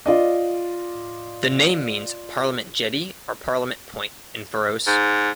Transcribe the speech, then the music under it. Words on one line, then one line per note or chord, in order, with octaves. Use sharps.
The name means "parliament jetty" or "parliament point" in Faroese.
F4 D5 D#5
G#2